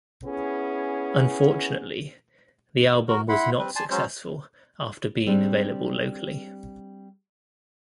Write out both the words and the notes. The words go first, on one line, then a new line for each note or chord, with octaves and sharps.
Unfortunately, the album was not successful after being available locally.
B3 C#4 E4 G#4
F#4 A#4
E4 F#5 B5 C6
G3 C4 B4
D5 G#5 A5 C6
F#3 G#3 C#4 C5
G3 C4 D4